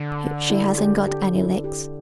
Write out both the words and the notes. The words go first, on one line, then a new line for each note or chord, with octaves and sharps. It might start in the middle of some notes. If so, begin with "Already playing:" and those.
She hasn't got any legs.
Already playing: D3
E4
G4
G4
E4
G4